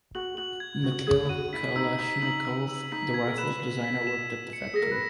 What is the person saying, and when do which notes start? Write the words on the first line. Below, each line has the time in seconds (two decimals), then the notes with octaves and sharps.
Mikhail Kalashnikov, the rifle's designer, worked at the factory.
0.15 F#4 F#7
0.37 F#4 F#7
0.60 G#6
0.83 F#4 G#6
1.07 G#4 G#6
1.25 E4
1.29 F#4 D#7
1.53 E4 B6
1.76 D#4 E6
1.98 D#4 B6
2.22 D#4 F#7
2.45 E6
2.69 E6
2.92 D#4 B6
3.14 G#6
3.27 A#4
3.38 B4 E7
3.60 B6
3.84 B6
4.07 E7
4.31 E7
4.53 C#7
4.73 G#4 A#6
4.82 A#4
4.91 B4